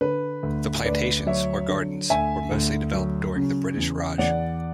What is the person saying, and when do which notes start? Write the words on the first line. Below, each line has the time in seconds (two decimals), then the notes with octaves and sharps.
The plantations, or gardens, were mostly developed during the British Raj.
0.01 D3 B4
0.43 D2
0.85 D2 B4 D5
1.26 F#3 C#5 E5
1.68 D3
2.10 D2 E5 G#5
2.51 D2
2.94 F#3
3.36 C#3
3.77 E2
4.18 E2 D5 F#5